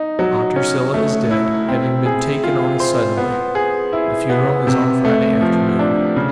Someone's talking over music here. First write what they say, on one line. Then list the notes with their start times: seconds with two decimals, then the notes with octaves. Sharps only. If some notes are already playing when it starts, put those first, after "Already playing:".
Aunt Drusilla is dead, having been taken almost suddenly. The funeral is on Friday afternoon.
Already playing: D#4
0.19 F#3
0.56 C#4
0.94 A3
1.31 E4
1.69 C4
2.06 G#4
2.44 F4
2.80 C5
3.17 B3
3.55 G#4
3.93 E4
4.30 B3
4.67 C3
5.05 A3
5.41 F3
5.79 D4
6.16 C#3